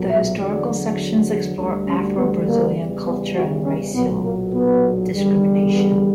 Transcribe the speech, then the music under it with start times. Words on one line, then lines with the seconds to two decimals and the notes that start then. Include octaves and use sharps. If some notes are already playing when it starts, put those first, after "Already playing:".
The historical sections explore Afro-Brazilian culture and racial discrimination.
Already playing: B1 A#2 F#3
0.09 E5
0.38 E2 D3 F#3 D5
1.56 D2 D3 G3 C#4
1.86 C#4
2.16 B3
2.46 A#3
2.76 E2 C#3 E3 G3
3.05 B3
3.34 F#4
3.63 C#4
3.94 B1 A#2 F#3 B3
4.23 A#3
4.53 B3
5.12 E2 D3 G3
5.72 B3